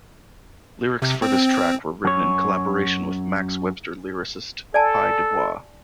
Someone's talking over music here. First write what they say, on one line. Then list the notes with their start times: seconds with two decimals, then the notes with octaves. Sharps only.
Lyrics for this track were written in collaboration with Max Webster lyricist Pye Dubois.
1.02 C3
1.22 C4
2.05 F#2 C#5
4.74 A4 D5 G#5 A5